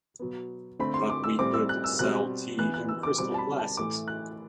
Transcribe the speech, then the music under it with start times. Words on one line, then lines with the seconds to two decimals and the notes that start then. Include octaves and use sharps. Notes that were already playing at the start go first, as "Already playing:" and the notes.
But we could sell tea in crystal glasses.
0.19 B2 F#3 B3
0.79 D3 A3 C4 B5
0.94 C6
1.10 D6
1.24 E6
1.39 A2 G3 C4 D6
1.54 E6
1.69 F#6
1.84 E6
1.99 B2 G3 C4 F#6
2.59 E3 B3 F#6
2.74 F#6
2.89 E6
3.03 D6
3.18 B2 G3 C4 D6
3.34 A5
3.38 B5
3.59 A5
3.77 A2 E3 A3 D6
4.08 F#6